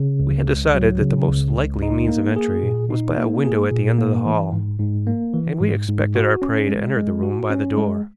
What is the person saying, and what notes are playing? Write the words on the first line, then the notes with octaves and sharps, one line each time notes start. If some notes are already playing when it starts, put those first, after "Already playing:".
We had decided that the most likely means of entry was by a window at the end of the hall, and we expected our prey to enter the room by the door.
Already playing: C#3
C#2
C#2
F#3
C#3
C#2
C#2
D#4
A#3
G#4
A#2
D#4
A#3
G#4
A#2
A#3
E3
G#2
G#2
A#3
E3
G#2
G#2
F#4
C#4
G#3
G#3
F#4
C#4
G#3